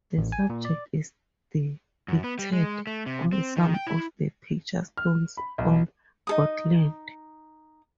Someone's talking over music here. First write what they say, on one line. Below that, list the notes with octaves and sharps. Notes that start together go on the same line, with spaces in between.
The subject is depicted on some of the picture stones on Gotland.
A1
G#5
A#2
D5
F#2
B3
G3
G#3
A3
C3
C4
D#3
G5
E4
F6
B5
B1
D#4 A4 D#6